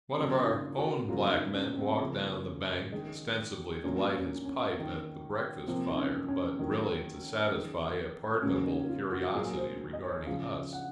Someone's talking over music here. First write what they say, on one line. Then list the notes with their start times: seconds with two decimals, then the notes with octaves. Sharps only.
One of our own black men walked down the bank, ostensibly to light his pipe at the breakfast fire, but really to satisfy a pardonable curiosity regarding us.
0.17 C#3 F#3 A#3
0.41 D#4
0.47 F4
0.78 F#4
1.08 C#3 F#3 A#3 F4
1.31 D#4
1.54 C#4
1.78 C4
2.00 C#3 F3 A#3 C#4
2.92 D#3 G#3
3.84 A#2 F#3 A#3 C#4
4.15 C#4
4.45 C#4
4.76 D#3 A#3
5.67 C3 F3 A#3 C4
5.90 D#4
5.98 C#4
6.28 C#4
6.59 D#3 F#3 A#3
7.52 D#3 G#3
8.42 C#3 F#3 A#3 C#4
8.66 D#4
8.89 F4
9.12 F#4
9.35 A#2 F#3 A#3 G#4
9.57 C5
9.93 D#5
10.04 C#5
10.26 C#3 F3 G#3 F5
10.73 F#5